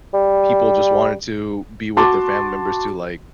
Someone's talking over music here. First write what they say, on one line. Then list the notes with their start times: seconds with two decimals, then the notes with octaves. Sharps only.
people just wanted to be with their family members to, like
0.14 G3
1.97 F#4 A5 C6 D6